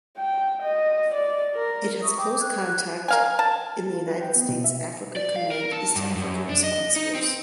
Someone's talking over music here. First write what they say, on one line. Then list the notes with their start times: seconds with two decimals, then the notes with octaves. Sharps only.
It has close contact in the United States Africa Command East Africa Response Force.
0.17 G5
0.62 D#5
1.14 D5
1.55 A#4
2.02 E5 C#6 D#6
2.18 G5 D6
2.40 F#6 G#6
3.08 A#4 F5 G#5
3.39 A5
3.94 F4
4.08 B4
4.21 G5
4.36 B3
4.49 B2
4.64 E5
5.16 D5
5.36 F5
5.51 A#4
5.72 A5
5.96 G2
6.15 F#2
6.49 D4
6.64 D#5
6.96 D#4
7.15 C4